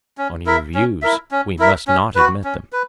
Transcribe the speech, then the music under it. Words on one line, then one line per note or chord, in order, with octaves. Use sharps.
On your views, we must not admit them.
C#4
E4 A#4 E5
C#4
E4 A#4 E5
C#4
E4 A#4 E5
C#4
F#4 B4
C#4
B4